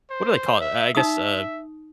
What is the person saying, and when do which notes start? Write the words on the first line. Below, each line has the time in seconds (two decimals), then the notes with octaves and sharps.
what do they call it- I I guess a
0.10 C5
0.61 E5
0.95 D#4 E5 D#6